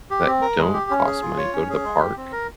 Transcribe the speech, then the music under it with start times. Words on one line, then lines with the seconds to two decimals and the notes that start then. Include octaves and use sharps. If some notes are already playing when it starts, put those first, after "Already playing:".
that don't cost money; go to the park,
0.11 G4
0.26 C4
0.41 A#4
0.58 G#3
0.73 G4
0.90 C#4
1.06 G#4
1.22 F4
1.37 C#5
1.53 C#4
1.70 G#4
1.84 G#3
2.00 G4
2.17 C4
2.32 A#4